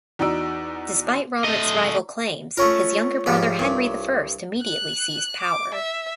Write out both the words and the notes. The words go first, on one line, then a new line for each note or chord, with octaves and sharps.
Despite Robert's rival claims, his younger brother Henry the First immediately seized power.
E2 D#4 F#4 D5 E6 D7
A3 D#5
A3 C#4 F4 A#4 C#5 C#6
G#2 F3 G3
C2 G2
F#6
D6
E5